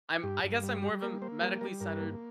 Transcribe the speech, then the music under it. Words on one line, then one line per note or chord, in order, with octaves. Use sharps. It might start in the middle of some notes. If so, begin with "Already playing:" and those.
I'm I guess I'm more of a medically centered
G2 G4
G2
G3
G3 G4
A#3 A#4
A#3 C5
G3 A#4
G3 A#4
G2 A#4
A#3